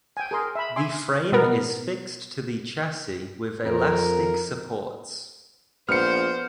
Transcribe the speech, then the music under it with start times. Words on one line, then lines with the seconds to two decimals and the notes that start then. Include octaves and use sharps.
The frame is fixed to the chassis with elastic supports.
0.17 G5 G#5
0.31 G#4 A#4 C6
0.55 E5 B5
0.76 E5 G#5 C6 D6
1.32 B2 B3 A#4
3.65 F2 A#4
5.89 A#1 B3 C5 F6 C#7